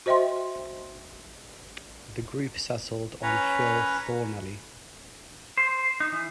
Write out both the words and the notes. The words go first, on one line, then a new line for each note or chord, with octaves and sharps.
The group settled on Phil Thornalley.
F#4 C5 D#5 E5 G5 C6
C#4 B4 C#5 A#5
C5
D#4
E3